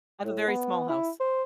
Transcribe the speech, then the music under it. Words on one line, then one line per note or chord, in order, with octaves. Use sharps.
I have a very small house.
A2
B3
E4
C5